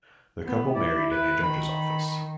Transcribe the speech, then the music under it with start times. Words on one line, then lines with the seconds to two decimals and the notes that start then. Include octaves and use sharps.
The couple married in a judge's office.
0.46 B3
0.75 E4 D5
1.11 B4
1.43 D#3 B5